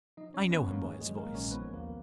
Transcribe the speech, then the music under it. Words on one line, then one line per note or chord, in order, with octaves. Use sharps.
I know him by his voice.'
F3 D#4 D#5
C#4 C#5
G#1
B3 B4
G#1
A#3 A#4
D#3 G#3 G#4
G#3 G#4
F#3
A#3 A#4
A#1
C#4 C#5
F3 B3 B4
D#2 A#3 A#4